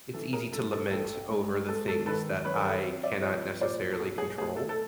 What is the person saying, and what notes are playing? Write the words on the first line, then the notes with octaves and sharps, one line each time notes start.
it's easy to lament over the things that I cannot necessarily control,
E3 A4
G#4 A#4
G2 A4
A4
A1 A4
G#3
G#3 A4
A4
D#3 A4 B4
F#2 B4 C#5
A#4
A4 B4
C4
D5 E5
F3 C#5 D#5
A#2 C5 D5
A4
B1 G#4
G#4
A3 G#4
A4
A4